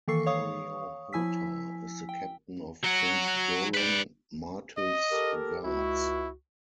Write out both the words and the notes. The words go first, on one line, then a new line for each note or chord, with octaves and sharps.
Areo Hotah is the captain of Prince Doran Martell's guards.
D#3 E3 A#3 A4 C#6 C7
C#5 F5 C#6 D#6
F3 E4 G#5 E6 B6
G5
F#3 F#4
B4 D5
D#5
G4 A4 A#4
C#2 E4 F#4